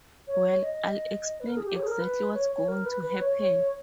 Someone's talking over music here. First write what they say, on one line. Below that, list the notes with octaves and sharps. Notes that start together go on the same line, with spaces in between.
Well, I'll explain exactly what's going to happen.
C#5
D#5
B4
A#4
G#4
G4
C#5
G#4
A#4
B4
C#5
C#5
A#4
B4
B4
C#5
C#5